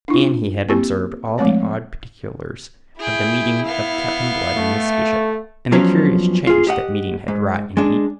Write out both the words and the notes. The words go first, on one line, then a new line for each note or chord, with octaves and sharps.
And he had observed all the odd particulars of the meeting of Captain Blood and Miss Bishop, and the curious change that meeting had wrought in each.
D4 E4 F4
A#3 C4 E4 G4
F3 G#3 A3 C4 C#5
E4 G#4 G5
B3 F5
A3
G2 F3 F#3 B3 C#4
F4 G#4
G4 D#5 F#5
G#2
G#3 D4